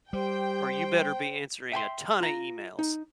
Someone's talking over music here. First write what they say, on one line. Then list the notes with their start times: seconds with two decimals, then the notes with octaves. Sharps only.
"Or you better be answering a ton of emails.
0.13 G3 G4 C5 G5
1.72 E5 G5 G#5 C6
2.20 F4 A#5
2.79 D#4